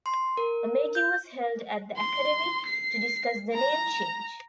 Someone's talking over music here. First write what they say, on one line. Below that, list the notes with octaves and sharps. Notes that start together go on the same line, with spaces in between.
A meeting was held at the Academy to discuss the name change.
C6
A#4
G6
C6
C7
A#5